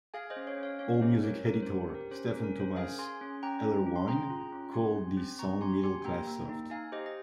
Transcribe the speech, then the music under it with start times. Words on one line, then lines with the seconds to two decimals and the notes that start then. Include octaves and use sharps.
AllMusic editor Stephen Thomas Erlewine called this song middle-class soft.
0.14 G#4 F5 G#5
0.30 C5 D#5
0.36 C#4
0.47 C#5 F5
0.58 C#4
0.63 C#5 F5
0.79 C#4 C#5 F5
0.95 F5
1.01 G4 C5 D#5
1.23 C#4 A#4 C#5
1.45 C#4 A#4
1.63 G4 C5
1.89 G4
1.95 A#4
2.11 C#4 C5
2.28 C#4 A#4
2.43 A#4
2.56 C#4 C5
2.76 G#4 F5 G#5
2.99 G#4 G#5 C6
3.21 C#4
3.43 C#4 G5 A#5
3.64 C#4
3.86 C#4
3.96 C6
4.08 G#4 G5 A#5
4.30 F4
4.52 C#4
4.74 G4 G#5 C6
4.96 C4
5.17 C4
5.39 C4 A#5 C#6
5.61 G4 G#5 C6
5.83 G4 G#5 C6
6.04 A#3 G5 A#5
6.27 A#3
6.49 D#4
6.70 D#4 F5 G#5
6.92 G4 C5 D#5
7.06 D#5